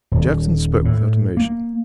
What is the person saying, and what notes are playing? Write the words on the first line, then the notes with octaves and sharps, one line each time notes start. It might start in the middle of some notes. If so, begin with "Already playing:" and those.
Jackson spoke without emotion.
D#1
A2
A#3